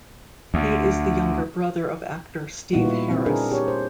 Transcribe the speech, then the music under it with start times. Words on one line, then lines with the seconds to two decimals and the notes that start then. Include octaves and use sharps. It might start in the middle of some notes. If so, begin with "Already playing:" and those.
He is the younger brother of actor Steve Harris.
0.54 D2
2.73 A#2 G3 B3 D#4 F4 F#4
2.85 E4
3.10 C4 E4
3.26 D4 G#4 A#4
3.51 G4 C#5
3.68 C5